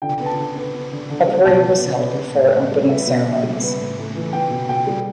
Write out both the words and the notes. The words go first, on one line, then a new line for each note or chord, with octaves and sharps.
A parade was held before opening ceremonies.
D3 G5
B3
A5
D3
B3
B3
D3
D3
G3
B2 A5
B3
B2
B3
B3
A2
A2
G3
B3 E5
B2
B2
G3
B3
A2
A2
E3
B3 G5
B2
B2 G5
G3